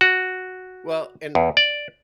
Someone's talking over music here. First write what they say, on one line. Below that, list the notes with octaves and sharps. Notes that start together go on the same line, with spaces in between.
Well and
F#4
E2
D5